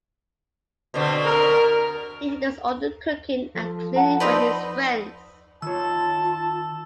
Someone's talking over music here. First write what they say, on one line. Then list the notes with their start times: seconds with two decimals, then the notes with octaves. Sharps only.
He handles all the cooking and cleaning for his friends.
0.94 B2 D3 C4
1.24 A#4
3.55 F3 A4
3.96 F#5 A5 A#5
4.20 C4 D#4 B4 D5
5.62 D#3 F4 C#5 A5 E6